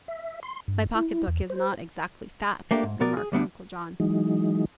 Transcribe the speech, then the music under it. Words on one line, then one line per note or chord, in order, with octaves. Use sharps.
"My pocketbook is not exactly fat," remarked Uncle John.
E5
C6
G2
E4
E2
C5
A3 A#3 D4 G4
G#2
B2 B3 A#4 D5
G#4
D2 G3 B3 D4
E3 F#3 G#3 D#4